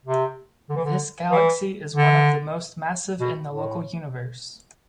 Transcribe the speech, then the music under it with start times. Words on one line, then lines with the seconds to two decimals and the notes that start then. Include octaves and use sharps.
This galaxy is one of the most massive in the local Universe.
0.06 C3
0.69 D3
0.76 E3
0.85 D3
1.31 E3
1.95 D3
3.20 B2
3.51 A2